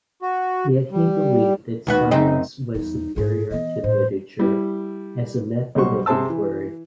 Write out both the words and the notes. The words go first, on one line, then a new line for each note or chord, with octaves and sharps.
Yet he believed that science was superior to literature as a method of inquiry.
F#4
G3
D#2 B3 F#4
F#2 C4 D#4
E2 G3 D#4
G#2 F4 G#4
E3 B3 D#5
A2 C5
G3 E4
B1 G3 F#4 C5 C#6
C3 G#4 C5 A5 E6
E3